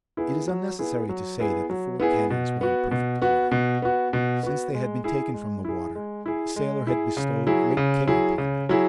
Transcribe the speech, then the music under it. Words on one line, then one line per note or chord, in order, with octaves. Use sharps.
It is unnecessary to say that the four cannons were in perfect order. Since they had been taken from the water, the sailor had bestowed great care upon them.
B3 E4 G#4
F#3
B3 E4 G#4
F#3
B3 E4 G#4
F#3
B3 E4 G#4
B2
B3 F#4
B2
B3 F#4
B2
B3 F#4
B2
B3 F#4
G#3
E4 G#4
G#3
E4 G#4
G#3
E4 G#4
G#3
E4 G#4
C#3
F#3 E4 G#4
C#3
F#3 E4 G#4
C#3
F#3 E4 G#4